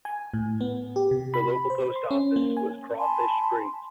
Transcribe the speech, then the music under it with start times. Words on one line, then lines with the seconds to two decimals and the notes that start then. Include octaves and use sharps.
The local post office was Crawfish Springs.
0.05 G#5
0.34 A2
0.61 B3
0.96 G4
1.11 C3
1.34 B5
1.70 C5
1.96 C6
2.11 C#4
2.36 A#3
2.57 G#5
2.98 G#5 A5 B5 C6